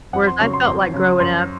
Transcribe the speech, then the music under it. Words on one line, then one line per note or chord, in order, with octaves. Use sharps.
Whereas I felt like growing up,
F2 F#5
C6
C#3 F#3 C#6
C6
F2 C6
C#3 F#3
F#2 C6